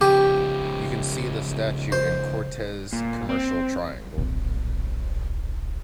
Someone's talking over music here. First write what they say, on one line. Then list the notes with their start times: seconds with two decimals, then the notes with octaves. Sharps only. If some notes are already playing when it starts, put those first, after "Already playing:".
You can see the statue in Cortes Commercial Triangle.
0.01 C#3 F3 G4
1.92 C5
2.93 A#2
3.29 C4
4.18 D1 A#1